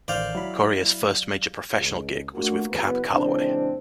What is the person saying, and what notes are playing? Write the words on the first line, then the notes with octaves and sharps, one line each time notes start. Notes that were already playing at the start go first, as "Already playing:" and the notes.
Corea's first major professional gig was with Cab Calloway.
A1 D#3 C5 D5 F5 G6
F#3 E4 B5
C#2
A3 A#3 D4 F4 F#4
F#1 B3
A#2 C#3 E3 G#3 C4 D4